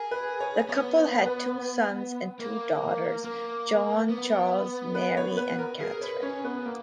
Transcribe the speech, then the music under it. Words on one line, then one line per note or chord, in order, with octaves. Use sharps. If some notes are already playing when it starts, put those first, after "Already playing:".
The couple had two sons and two daughters; John, Charles, Mary and Catherine.
Already playing: G#4 A#4
B4
C#5
B3 C#5
C#5
B4
A#3
A#3 A#4
B3
B4
C#5
B4
A#4
G#4 A#4
B4 C#5
C#4 C#5
B3 B4
A#3 A#4